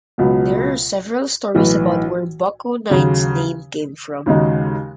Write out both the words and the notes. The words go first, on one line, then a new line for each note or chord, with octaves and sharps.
There are several stories about where Buck-O-Nine's name came from.
C#2 B2 F#3
B1 A2 E3
D#2 C#3 F#3
D#2 C#3 G#3 D#4 F#4